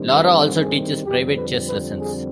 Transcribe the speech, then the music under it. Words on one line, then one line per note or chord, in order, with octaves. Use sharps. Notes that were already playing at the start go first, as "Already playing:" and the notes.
Laura also teaches private chess lessons.
Already playing: G2 D#3 G3 C4
B4
G#4
F2 D3 G3 C4 G4
B4
B4
G#4